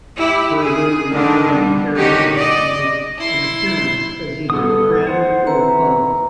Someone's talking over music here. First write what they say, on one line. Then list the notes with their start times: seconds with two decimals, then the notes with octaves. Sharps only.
Further recurring characters make an appearance as either friend or foe.
0.17 E4 G4
0.61 G#4
1.12 D3 D#3 D4
1.51 G3
1.96 D3 D#3 C#4 D#4 F#4 G4
2.34 D5 D#5
3.18 E4 C6
4.50 G1 B3 A4 D#6
5.07 C5 F#5
5.47 D#3 C4 E4 B4 A#5